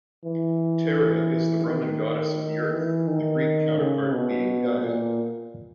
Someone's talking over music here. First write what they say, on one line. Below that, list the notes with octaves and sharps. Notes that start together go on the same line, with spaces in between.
Terra is the Roman goddess of the Earth, the Greek counterpart being Gaia.
E3
D#3
E3
D#3
C#3
B2
A#2